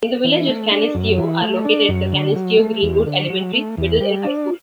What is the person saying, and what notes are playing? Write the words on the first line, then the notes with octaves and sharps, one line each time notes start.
In the Village of Canisteo are located the Canisteo-Greenwood Elementary, Middle, and High Schools.
E3
A3
D4
F#2
E3
A3
D4
F#2
D3
F#3
A3
E2
D3
F#3
A3
E2
G3
D4